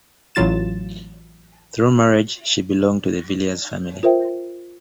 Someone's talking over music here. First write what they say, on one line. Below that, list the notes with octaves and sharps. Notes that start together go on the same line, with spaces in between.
Through marriage she belonged to the Villiers family.
A1 A2 F#3 F4 A6 E7
F4 A#4 C5 E5 G5